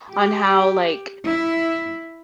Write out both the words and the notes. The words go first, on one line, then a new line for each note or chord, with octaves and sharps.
on how like,
G4
E4